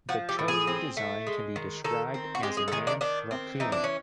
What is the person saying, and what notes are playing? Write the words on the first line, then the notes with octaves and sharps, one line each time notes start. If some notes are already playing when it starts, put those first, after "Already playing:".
The chosen design can be described as a manned rockoon.
F3 F#4
G4
A2
G#4
C4
A3
G#3
D#3
D#3 A4
C4
F#4
G#3 G4
G#4
A4
D#3 G#4
D4
D#3 D4
C4
E3 D#4
D4
C#4